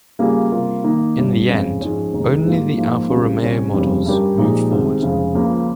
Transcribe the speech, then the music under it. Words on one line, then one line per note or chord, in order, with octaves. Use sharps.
In the end, only the Alfa Romeo models moved forward.
C#3 G3 A#3 F4 G#4
C3 G3 A#3 F4 A#4
D#3 A#3 D#4
G1 G2 G3 C4
F2 C#3 G#3 C#4
G#2 F3 G#3 C#4
F1 D#2 D#3 G#3 D#4
G#2 G3 A#3 F4
G#2 F3 A#3 F4
C#2 C#3 G3 C4
C3 G3 C#4
F1 F2 C#3 G3
G2 G3 C#4 G4 A#4
A#2 F3 G#3 D#4 G4
C2 C3 D#3 G#3
F1 F2 C#3 G#3
C#2 C#3 F3 A#3